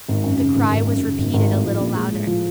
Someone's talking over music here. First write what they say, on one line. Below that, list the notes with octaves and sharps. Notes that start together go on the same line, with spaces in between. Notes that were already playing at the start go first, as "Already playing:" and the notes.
The cry was repeated a little louder.
G#1
F#2
C#3
G#1
G#1
F#2
C#3
G#1
G#1
A2
F3
A#1
G#3
A2
F3